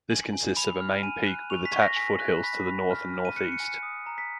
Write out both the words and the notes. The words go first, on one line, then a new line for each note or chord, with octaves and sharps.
This consists of a main peak with attached foothills to the north and northeast.
G#5 F#7
G#5
B5 F7
F6
G#5 D#7
F#6
C#6 F7
B6
C#6
A#6
G#5 B6
F#6
B5 B6
B5
F6
F6
D#7
F#6 C#7
C#7
G#5
C#7
D#6
A#5
B6